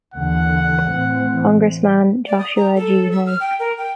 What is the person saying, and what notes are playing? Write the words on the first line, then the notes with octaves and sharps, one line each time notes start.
Congressman Joshua G. Hall.
D#2 D3 E3 F#5
A2 E3 C4
D5
D#6
A#5
A4
E6
F6
G5
A#4
G5